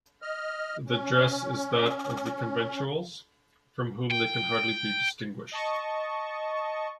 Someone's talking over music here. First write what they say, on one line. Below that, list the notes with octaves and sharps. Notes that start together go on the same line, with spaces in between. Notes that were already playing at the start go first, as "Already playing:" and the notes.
The dress is that of the Conventuals, from whom they can hardly be distinguished.
D#5 F6
C#4
G5
D#5 A5 C#6